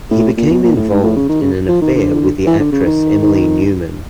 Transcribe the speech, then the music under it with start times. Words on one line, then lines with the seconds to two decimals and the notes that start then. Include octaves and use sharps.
He became involved in an affair with the actress Emilie Neumann.
0.11 A2
0.37 A#2
0.50 B2
0.63 A#2
0.76 A2
0.90 G#2
1.03 A2
1.16 C#3
1.29 D#3
1.41 C#3
1.69 F3
1.81 D#3
1.95 D3
2.46 E3
2.59 D3
2.72 C#3
2.85 D#3